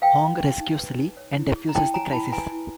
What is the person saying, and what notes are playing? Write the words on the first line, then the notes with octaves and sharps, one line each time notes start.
Hong rescues Lee and defuses the crisis.
B4 F5 G5
D#4
G4
D#4
B4
D#4
C#5
E4
G#4
A#5
E4 G5 A5
C#5 G#5 A#5
E4 A5 B5
B4 G#5 A#5
E4